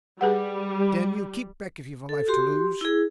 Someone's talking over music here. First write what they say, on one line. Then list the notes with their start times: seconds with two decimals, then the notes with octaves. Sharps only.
Damn you, keep back, if you've a life to lose!'
0.21 G3 G#4 B4 F#5
2.09 A4
2.28 F#4 G4 C6
2.81 E4 G#4